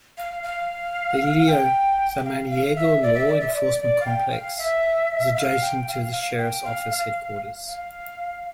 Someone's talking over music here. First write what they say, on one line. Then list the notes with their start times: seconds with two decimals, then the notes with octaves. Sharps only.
The Leo Samaniego Law Enforcement Complex is adjacent to the sheriff's office headquarters.
0.18 F5
0.43 F5
1.47 G5
2.16 G5
2.25 F5
2.50 F5
2.76 E5
3.03 D5
3.14 E5
3.28 D5
3.40 E5
3.53 D5
3.80 D5
4.00 F5
4.06 G5
4.31 F5
4.58 E5
5.35 F5
5.61 G5
5.87 F5
6.12 F5
6.38 G5
6.64 F5
6.90 F5
7.67 F5